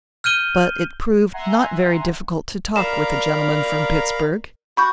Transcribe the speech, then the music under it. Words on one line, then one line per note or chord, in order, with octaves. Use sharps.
But it proved not very difficult to talk with the gentleman from Pittsburg.
F6 G6 D#7 G7
E5 F#5 G#5 A#5 C6
A#4 D5 F5 A#5 B5 E7
F#4 B5 C#6 G6